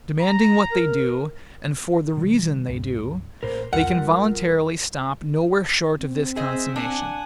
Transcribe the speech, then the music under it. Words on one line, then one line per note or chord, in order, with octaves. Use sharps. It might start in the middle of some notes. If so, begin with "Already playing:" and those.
Demanding what they do, and for the reason they do, they can voluntarily stop nowhere short of this consummation.
A#5
A#4
B2 D#3 G3
C#2 G2
A1 A#2 A#4 C5
C2 F2 F4 A#4 F#5
E1 G3
C4
G#4 C5 D#5 E5
D4 F#5 G#5